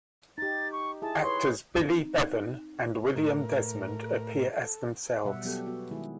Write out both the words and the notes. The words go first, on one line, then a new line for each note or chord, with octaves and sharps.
Actors Billy Bevan and William Desmond appear as themselves.
D#4 G4 A6
C#6
E4 G#4 A5
B4 C#5 C6
C4 D#4
A2 A#4
A4
B2 G3 E5 F#5
F#3 B3 G4 A4
B3 F#4
D#3 G#3 E4 G#4